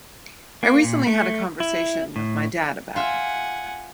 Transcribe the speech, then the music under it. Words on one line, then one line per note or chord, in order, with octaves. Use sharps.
I recently had a conversation with my dad about it.
A#3
A#2
A3
E4
A2
F4 E5 F#5 G#5